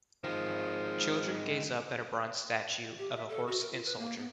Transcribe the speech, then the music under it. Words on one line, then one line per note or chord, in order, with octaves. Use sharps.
Children gaze up at a bronze statue of a horse and soldier.
D#3 F3 G#3
G4
E5
A4
F#4
A#4
F4
B4
A#3
B3